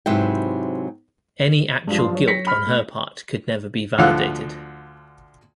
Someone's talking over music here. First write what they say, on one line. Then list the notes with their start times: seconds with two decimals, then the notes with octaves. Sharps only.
Any actual guilt on her part could never be validated.
0.06 G#2 C3 F#3 E4 B4 G5
1.87 G2 F3 G#3
1.99 C6
2.13 F#3 C#5
2.27 A#6 B6 C#7
2.47 B5 F6 B6
2.67 A3
3.98 D2 D3 F3 F5 F#5 E6